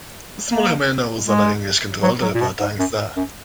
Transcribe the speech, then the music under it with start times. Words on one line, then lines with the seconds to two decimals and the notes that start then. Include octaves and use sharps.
The small remainder was under English control to repair tanks there.
0.51 A#3
1.26 G#3
2.03 F#3
2.22 F#3
2.34 A#2
2.41 B2
2.60 G#2
2.79 F#2
3.17 F#2